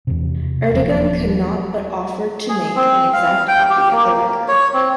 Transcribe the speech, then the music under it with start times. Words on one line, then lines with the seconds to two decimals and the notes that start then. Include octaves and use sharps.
Ertegun could not but offered to make an exact copy of the record.
0.07 E2 C3
0.74 D#1 F3 A#3
2.49 G#4
2.76 C4
3.13 F5
3.48 G5
3.70 G4
3.91 A#3
4.48 C#5
4.74 C4